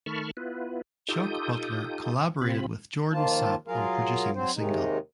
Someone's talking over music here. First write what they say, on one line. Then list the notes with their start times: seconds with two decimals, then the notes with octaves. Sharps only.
Chuck Butler collaborated with Jordan Sapp on producing the single.
0.06 D#3 A3 A5 B5 C#6 F6
0.37 B3 E4 F4 B4
1.09 D#4 F4 G4 A4 D#6 G6
2.42 C3 C4 F4 B5
3.12 D#2 D#3 F3 A#3 F4 A5
3.68 F#3 F4 G#4 A#4 F5
4.35 F#3 C4 C5
4.56 D#2 C3 D#3 G#3 D#4